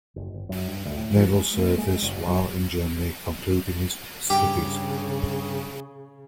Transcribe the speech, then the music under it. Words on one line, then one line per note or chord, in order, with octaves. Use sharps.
Naval service while in Germany concluding his studies.
F#1
G1
F#2
G2
D2
A2
F3
G#3
A#3
G#3
F#1
F#3
G2 C#3 G4 G5